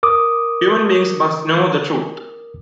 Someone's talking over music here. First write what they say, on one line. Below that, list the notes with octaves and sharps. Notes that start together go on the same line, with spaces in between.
Human beings must know the "Truth".
A#4 D6 D#6